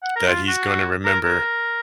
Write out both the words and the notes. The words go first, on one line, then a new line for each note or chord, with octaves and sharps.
that he's gonna remember
F#5
A#4
F4
F#4
A#4
A#4